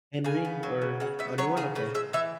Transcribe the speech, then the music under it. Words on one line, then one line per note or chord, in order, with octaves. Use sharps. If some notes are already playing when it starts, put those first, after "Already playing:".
Henry or a new one, okay.
C#3 G#5
B3
F#3
C#3
C#3 F#5
B3 E5
F#3 C#5
C#3 G#4
C#3 B4
G#3 E5
E3 E5